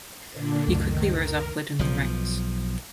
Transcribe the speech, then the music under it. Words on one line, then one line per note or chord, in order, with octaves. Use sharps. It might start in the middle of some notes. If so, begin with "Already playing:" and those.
He quickly rose upwards in the ranks.
A#2 D3 D4
C#2 F#2 D#3 A3
A#4
B1 F3